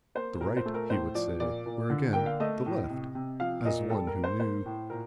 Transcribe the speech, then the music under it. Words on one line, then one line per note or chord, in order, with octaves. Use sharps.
"The Right," he would say. Or again "The Left," as one who knew.
A#3 C5
A#2 A#4
C5
A3
A#4
A2 C5
F3 D5
A#2 D5
A#2
D3
A#3 G5
F5
A3 D#5
A2
C3
C3
F3 F5
A#2 D#5
G3 A4
A#4
A#3
C5
A#3 C5
A2
A#2 A#4